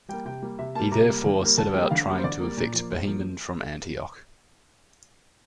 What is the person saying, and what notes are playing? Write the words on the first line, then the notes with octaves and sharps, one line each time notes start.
He therefore set about trying to evict Bohemond from Antioch.
G3 A#3 G5
C3 G5
G3 A#3
C3 E5
G3 A#3 A5
C3 A#5
G3 A#3
D3
G3 A#3
D3 A5
G3 A#3 G5
D3 F5
G3 A#3
C5
D3 D5
G3 A#3
A#2
F3 A#3
A#2 C5
F3 A#3